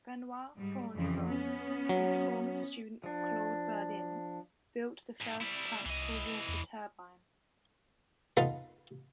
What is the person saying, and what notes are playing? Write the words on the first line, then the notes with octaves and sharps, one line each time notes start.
Benoit Fourneyron, a former student of Claude Burdin, built the first practical water turbine.
G#2 G3
F2 C#3 E3
B3 C#4
F#3
F3 D4
G#2
G3 E4
C2 E3 D#5
E2
B3 D#4 F4 A4 B4 F5